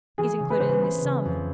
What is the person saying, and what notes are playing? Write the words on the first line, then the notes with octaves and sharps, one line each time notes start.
"Is included in this sum."
E3 G#4
C#3
B4
C#3 C5
B4
A3 B4
C#3
F2